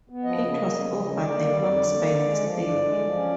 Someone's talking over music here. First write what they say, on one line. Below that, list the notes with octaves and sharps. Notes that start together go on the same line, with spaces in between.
It was over the locks by mistake.
B3
F3 D#5
C#3
A#3
C#3
F3
C#3
D3 D5
A#3
G3
F2 D5
D3
A#3
D3
G#3
F3
G2 D5
D3
G#3
F3
C#4